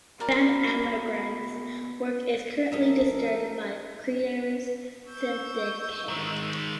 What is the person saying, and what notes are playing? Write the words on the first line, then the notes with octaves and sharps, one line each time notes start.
Van Amerongen's work is currently distributed by Creators Syndicate.
B2 A#3 A#4 D5 B5
A#1 C#4 D#4 A4 A#4 E5
C#6 E6 G6
D#3 G#3